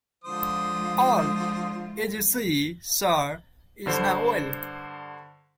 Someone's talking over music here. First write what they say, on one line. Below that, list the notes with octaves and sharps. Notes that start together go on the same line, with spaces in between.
All, as you see, sir, is now well.
D3 F3 G#3 F4 C5 D#6
G2 D3 C5